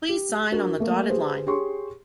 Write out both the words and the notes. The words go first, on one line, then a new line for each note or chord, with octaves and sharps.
Please sign on the dotted line.
G4
D4 F#4 A#4
A3 A#3
G4 G#4 B4 C5
G4 G#4 C#5 C6 C#6